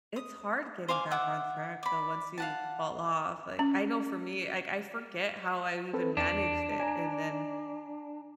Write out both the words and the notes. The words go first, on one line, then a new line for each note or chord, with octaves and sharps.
It's hard getting back on track, though, once you fall off. Like, I know for me, like, I forget how I even managed it, and then,
D#6
C5 F5 G#5 D6
E5 F#5 D6
D5 B5
F5 F#5 A5
C#4
C4 A4 B4
E2 D4
G#5 A#5